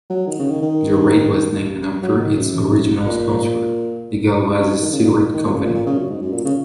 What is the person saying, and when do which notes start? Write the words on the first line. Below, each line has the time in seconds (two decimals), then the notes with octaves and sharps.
The Raid was named after its original sponsor, the Gauloises Cigarette Company.
0.10 F#3
0.27 D#3
0.39 C#3
0.50 D#3
0.62 D#3
2.03 F#3
2.20 D#3
2.37 F#2
3.07 A#2
4.38 F#2
4.47 G#2
4.58 F#2
4.70 G#2
4.82 D#3
4.93 C#3
5.05 A#2
5.34 D#3
5.46 A#2
5.51 C#3
5.63 A#2
5.75 A#2
5.86 C#3
5.98 F#2
6.10 G#2
6.22 F#2
6.33 A#2
6.45 C#3